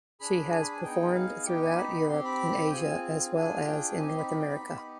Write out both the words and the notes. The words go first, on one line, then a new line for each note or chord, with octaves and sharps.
She has performed throughout Europe and Asia as well as in North America.
D4 G#4 B5
G#5
B5
G#5
B3 D#4 G#4 G5
F5
B3 D#4 G4 G5
G#5
B5
C4 G4 C6
B5
G5
C4 F4 G#4 G#5
D4 F4 G#4 G#5
G5
C4 D#4 G4 G#5
C6
B5
B5
G5
B5
B3 D#4 G4